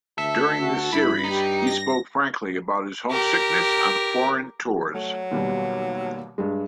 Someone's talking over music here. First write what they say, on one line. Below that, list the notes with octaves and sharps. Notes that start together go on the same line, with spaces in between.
During this series, he spoke frankly about his homesickness on foreign tours.
D2 A4 E5
F#4
G2 E4 B5
D#4 G4
A#6
G4 A#4
F#3 A3
D#2 B2 G3
G2 G3 G#3